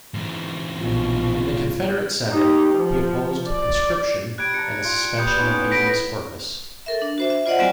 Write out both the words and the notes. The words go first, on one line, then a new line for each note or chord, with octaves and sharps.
In the Confederate Senate, he opposed conscription and the suspension of habeas corpus.
G#2 E3
A#1 B2 F4
D#4 G4
F3
D5
G3 F#6 G#6 D7
D5 A5 A#5 C#7
F4
G3 B4 D#6 G6 C#7
B3 C#4 D#4
G3 F#5 A#6 B6 D7
A4 A#4 E5
D4
F#4 C5 E5
E5
F4 C5 D5 D#5 F#5
F#3 G3 A#3 C4 F#4 G#5